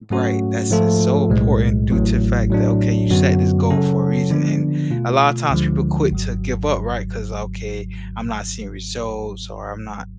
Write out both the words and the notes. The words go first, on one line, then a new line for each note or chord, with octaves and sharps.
Right, that's it's so important due to fact that, okay, you set this goal for a reason, and a lotta times people quit to give up, right? 'Cause, "Okay, I'm not seeing results or I'm not
G#2 F#3 A3 C#4 F#4
G#2 F3 A3 F4 A4
B1 A2 G#3
A1 A2 F#3
A2 F#3 A3 D4
F#2 D3 F#3 B3 F#4
C#3 F#3 C#4 F#4 A4
D3 F3 B3 D4
B2 A3 F4
D2 D3 F3 G#3
G#1 G#2 F#3